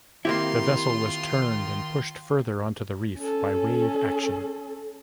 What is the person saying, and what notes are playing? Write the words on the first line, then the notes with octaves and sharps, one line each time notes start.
The vessel was turned and pushed further onto the reef by wave action.
D#3 A#3 C4 E4 F4 G4 C6
C#4 A4